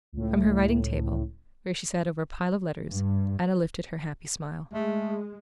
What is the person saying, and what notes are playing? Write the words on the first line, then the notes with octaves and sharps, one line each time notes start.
From her writing-table, where she sat over a pile of letters, Anna lifted her happy smile.
C#2 A2
G2
G#3 A3